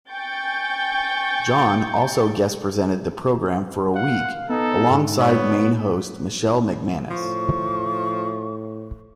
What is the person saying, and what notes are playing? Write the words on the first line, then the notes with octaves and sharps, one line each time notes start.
John also guest presented the programme for a week alongside main host Michelle McManus.
G5 G#5 C#6 G6 A6
F5 F#5
B3 D#4 A4
G#2
B3 C#5
A2 F3 C#6